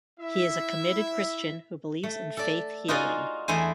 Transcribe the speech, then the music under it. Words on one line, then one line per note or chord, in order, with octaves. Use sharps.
He is a committed Christian who believes in faith healing.
E4 E5
A3
A4 D5
D#4 F4 F#4 G#4 D5 D#5
E2 A3 E4 C5 G#5